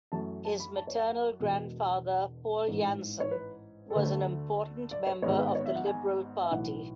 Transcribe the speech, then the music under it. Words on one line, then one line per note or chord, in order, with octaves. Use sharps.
His maternal grandfather, Paul Janson was an important member of the Liberal Party.
F#2 E3 A3 A5
A5
B5
A5
C#5
F#5
F#5
E1 E2 B2 G#3
A1 G#2 E3 G#3
C#5
B4
A4
D2 D3 A3 B4
D5
C#5
G#1 G#2 G#3 B3 C#5
B4
D5
C#5
E5
F#5
G#5
E5
B1 A2 E3 F#5